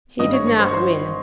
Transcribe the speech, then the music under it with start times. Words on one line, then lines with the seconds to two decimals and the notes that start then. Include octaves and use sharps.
He did not win.
0.19 G#1 G2 G3 D#5 D#6
0.33 C#5 C#6
0.47 C#5 C#6
0.60 C5 C6
0.69 C#6
0.74 C5 C6